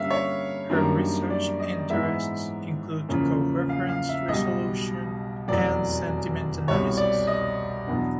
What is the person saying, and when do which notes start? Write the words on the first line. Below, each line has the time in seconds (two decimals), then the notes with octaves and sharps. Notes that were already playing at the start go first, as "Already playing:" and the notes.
Her research interests include coreference resolution and sentiment analysis.
Already playing: G2 D3 G3 A#3 C#4 E5 F5
0.10 C#5
0.70 F#2 D#3 G3 A#3 D4
1.30 D5
1.60 D#5
1.90 G#2 E3 G#3 B3 E5
3.09 E2 C#3 F3 A#3 C#4
3.69 F5
3.89 F5
4.09 E5
4.28 B1 B2 G3 D#5
5.48 F1 E2 B2 F#3 D5
6.68 C2 B2 G3 C#5
6.98 D5
7.27 D#5
7.87 E2 B2 F#3 B3 D4